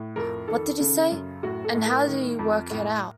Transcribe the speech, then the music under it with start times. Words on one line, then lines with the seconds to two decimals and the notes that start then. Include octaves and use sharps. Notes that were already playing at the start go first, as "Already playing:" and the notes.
What did he say, and how did he work it out?
Already playing: A2
0.16 F2 A#4
0.48 D#3 A4
0.79 C#3 A4
1.12 F#2
1.43 A2 F#4
1.64 A4
1.75 A2
1.86 A#4
2.07 D#3
2.39 F2
2.70 A2